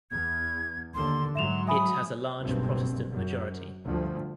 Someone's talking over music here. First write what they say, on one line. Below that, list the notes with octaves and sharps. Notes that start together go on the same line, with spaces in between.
It has a large Protestant majority.
E2 G#6
D#2 D3 C6
G#2 F#3 E5 C6 E7 F7
E5 G#5 B5 D#6
F#1 B1 G2 B2 C4
F#2
D2 G2 F3